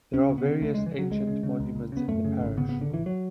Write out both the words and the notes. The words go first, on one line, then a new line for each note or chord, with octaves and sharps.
There are various ancient monuments in the parish.
C#2 C#4
C#3
B3
C#3
C#2 A3
G#3
C#3
E3
C#3 F#3
C#2 G#3
C#3
C#3
C#2
C#2
C#3 B3
F#2 A3
C#3
G#1
C#3 B3
B3
G#1
D3
G#1 E3
F#3